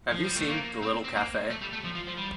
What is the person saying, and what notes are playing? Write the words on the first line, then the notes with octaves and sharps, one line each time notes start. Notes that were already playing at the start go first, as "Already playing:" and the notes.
Have you seen "The Little Cafe"?.
F3
G3
A3
A#3
C4
C4
A#3
A3
G3
A3
F3
F3
F3
G3